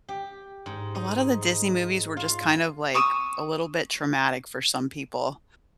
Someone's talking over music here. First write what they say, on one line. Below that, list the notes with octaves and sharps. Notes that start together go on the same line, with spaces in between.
a lot of the Disney movies were just kind of, like, a little bit traumatic for some people.
G4
G#2
D#4
F4
C#6 D#6 E6